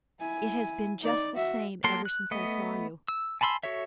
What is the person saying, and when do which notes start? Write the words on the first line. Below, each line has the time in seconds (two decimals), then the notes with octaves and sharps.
It has been just the same ever since I saw you.
0.20 E4 G#5
1.00 D#4 D5
1.35 F#4 E5
1.84 F#3 A#3 A4 A#4 C6
2.05 F#6
2.31 A3 B3 D#5
3.08 E6
3.41 G#5 A5 B5 C6 E6
3.63 F#4 A4 C#5 E5